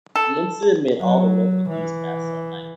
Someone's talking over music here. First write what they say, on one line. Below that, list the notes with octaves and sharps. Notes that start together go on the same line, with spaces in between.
The incident made all the local newscasts that night.
A4
F#3
E3